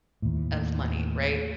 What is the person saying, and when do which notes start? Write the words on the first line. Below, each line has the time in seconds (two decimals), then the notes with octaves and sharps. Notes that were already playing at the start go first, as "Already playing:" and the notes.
of money? Right?
0.22 D#2 A2